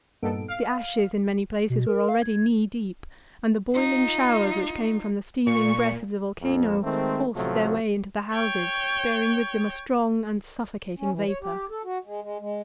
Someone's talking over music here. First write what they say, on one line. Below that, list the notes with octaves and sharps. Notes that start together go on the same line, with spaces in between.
The ashes in many places were already knee-deep; and the boiling showers which came from the steaming breath of the volcano forced their way into the houses, bearing with them a strong and suffocating vapor.
G2 A#2 B3 D#4 A4 D7
F5
B2
A#4
F5
G#6
D#4 F4
A#2 C#6
A#1 F2
D#3 G#3 A3 C4
A1 C3 F3 F#3 A3
C#5 G5
C#4
E3
C#5
G4
A4
F#4
G#3
G#3
G#3